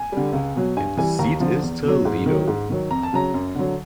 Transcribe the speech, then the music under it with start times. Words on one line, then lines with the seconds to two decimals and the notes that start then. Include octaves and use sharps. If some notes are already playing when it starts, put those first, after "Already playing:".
Its seat is Toledo.
Already playing: G#5
0.12 D3 G3
0.33 C#2
0.55 B2 F#3
0.77 G2 G#5
0.97 E3 G3 G#5
1.19 D#2 A#5
1.40 D3 F3
1.62 E2
1.83 B2 F#3
2.05 G#2
2.26 D#3
2.31 F#3
2.48 G#2
2.70 D#3 F#3
2.90 F2 A#5
3.03 A5
3.13 C#3 F#3 A#5
3.34 F#2
3.55 D3 F#3